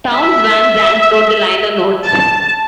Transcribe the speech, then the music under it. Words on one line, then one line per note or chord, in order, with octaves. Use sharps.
Townes Van Zandt wrote the liner notes.
E5
A5